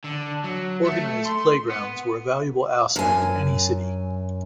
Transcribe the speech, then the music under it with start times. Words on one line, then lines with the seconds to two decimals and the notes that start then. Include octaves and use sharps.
Organized playgrounds were a valuable asset to any city.
0.04 D3
0.44 F#3
0.84 A3
1.25 C6
1.70 B3
2.96 F#2 G#5